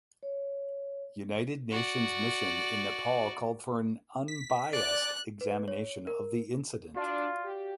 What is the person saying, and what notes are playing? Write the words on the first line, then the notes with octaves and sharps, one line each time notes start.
United Nations Mission in Nepal called for an unbiased examination of the incident.
C#5
F#4 D5
B6
D5 F#6
B4
C#5
A#4
D4 F4 F#4 D5 F5
G4